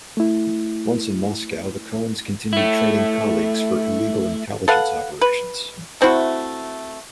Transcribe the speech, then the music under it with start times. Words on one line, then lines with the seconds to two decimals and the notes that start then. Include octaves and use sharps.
Once in Moscow, the Cohens continued training colleagues for illegal intelligence operations.
0.17 A3 E4
2.53 A3 E4
4.68 A4 B4 F5 F#5
5.21 B4
6.01 A3 C4 E4 F#4